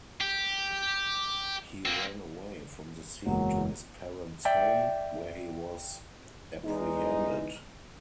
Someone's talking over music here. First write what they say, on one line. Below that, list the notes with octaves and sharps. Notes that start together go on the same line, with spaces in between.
He ran away from the scene to his parents' home, where he was apprehended.
G4
A#3 C4
F#1 E2 F#3 G#3 A#3
D5 E5 G5
E2 G#3 D#4